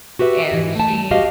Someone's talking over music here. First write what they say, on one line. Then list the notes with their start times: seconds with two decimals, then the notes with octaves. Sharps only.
and she
0.19 F#4 G4 B4 E5
0.51 G#2 E3
0.75 A3 A5
1.11 F#4 G4 D#5 F5